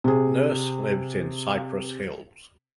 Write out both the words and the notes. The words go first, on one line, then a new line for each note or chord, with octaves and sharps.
Nurse lives in Cypress Hills.
C3 G#4